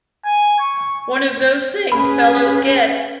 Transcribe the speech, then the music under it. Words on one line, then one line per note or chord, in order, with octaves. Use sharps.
One of those things fellows get.
G#5
C#6
C#4 G#4 B4 B5